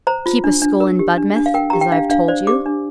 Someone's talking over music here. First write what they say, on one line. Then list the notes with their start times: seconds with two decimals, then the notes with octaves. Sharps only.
"Keep a school in Budmouth, as I have told you."
0.07 C5 A#5
0.26 F4
0.44 D4
0.62 D4
0.80 A#4
0.99 G4
1.18 D4
1.36 D4
1.46 F5
1.54 A#4 G5
1.70 G4 A#5
1.81 G5
1.92 D4 F5
2.10 D4 F5
2.28 C5 D5
2.47 G4 D6
2.66 D4